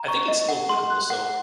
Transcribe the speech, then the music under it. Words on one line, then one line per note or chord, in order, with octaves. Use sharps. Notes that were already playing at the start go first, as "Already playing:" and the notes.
I think it's still applicable. So,
Already playing: A#5
C#6
D#5
F#5
C6
F#6
F#5